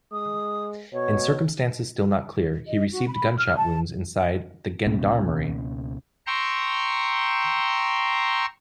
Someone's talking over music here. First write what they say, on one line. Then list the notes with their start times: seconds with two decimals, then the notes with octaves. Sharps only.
In circumstances still not clear, he received gunshot wounds inside the gendarmerie.
0.13 G#3 D#6
0.93 B2 C#5
2.67 D#5
2.92 F#4
3.08 B5
3.38 F6
3.57 A5
4.86 C#2 B2 A#3 C#4
6.27 G5 A#5 C6 C#6 E6